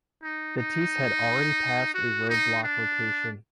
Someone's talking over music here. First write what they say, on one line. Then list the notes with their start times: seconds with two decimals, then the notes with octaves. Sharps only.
Batisse had already passed a roadblock location.
0.23 D#4
0.57 D#4
1.94 F#4
2.29 D#4
2.63 D4